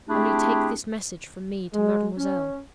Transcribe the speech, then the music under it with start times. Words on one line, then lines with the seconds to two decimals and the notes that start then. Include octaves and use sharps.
Only take this message from me to mademoiselle.
0.08 A3 C4 D4 E4 G4 G#4
1.74 G#3
2.18 C#4